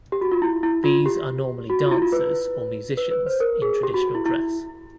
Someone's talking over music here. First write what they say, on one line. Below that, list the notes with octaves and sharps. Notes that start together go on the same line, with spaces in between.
These are normally dancers or musicians in traditional dress.
G4
F#4
F4
E4
E4
F4
G4
F#4
F#4
F4
E4
F4
B4
B4
B4
C5
A#4
G#4
G4
F#4
E4
E4